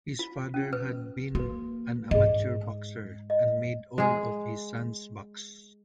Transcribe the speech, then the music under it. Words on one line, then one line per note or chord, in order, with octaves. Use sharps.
His father had been an amateur boxer and made all of his sons box.
F4
C#4
B4
A#3 F#4 B4
G#2 G#4 D#5
D#5
G#3 G#4